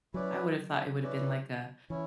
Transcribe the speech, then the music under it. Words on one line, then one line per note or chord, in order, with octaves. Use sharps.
I would have thought it woulda been like a
F#3 C#4 E4 B4 D5
C#4 E4 B4 D5
E3 C#4 E4